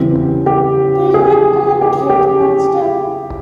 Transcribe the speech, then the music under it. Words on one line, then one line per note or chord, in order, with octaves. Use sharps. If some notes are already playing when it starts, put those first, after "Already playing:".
Do you like plum-cake, monster?
Already playing: E2 C#3 E3 G3 C4
G4
G#4
G4
G4